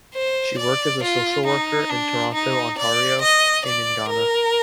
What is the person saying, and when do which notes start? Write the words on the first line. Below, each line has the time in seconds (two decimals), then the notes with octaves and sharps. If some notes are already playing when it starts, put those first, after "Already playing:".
She worked as a social worker in Toronto, Ontario and in Ghana.
0.14 C5
0.58 D5
1.03 F4
1.47 D#4
1.90 D4
2.34 D#4
2.78 D5
3.22 D#5
3.65 D5
4.09 A#4